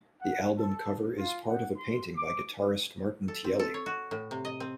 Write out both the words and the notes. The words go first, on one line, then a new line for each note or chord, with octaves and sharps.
The album cover is part of a painting by guitarist Martin Tielli.
F#5
A4
F4
F#5
C6
D6
A4
C4
A4
C#5
F#4
A2
C3
D#5
C4